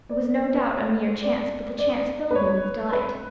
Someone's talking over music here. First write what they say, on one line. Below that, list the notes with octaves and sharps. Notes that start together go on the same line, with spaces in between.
It was no doubt a mere chance, but the chance filled me with delight.
D5
B4
C#5
D5
D5
B4
C#5
B4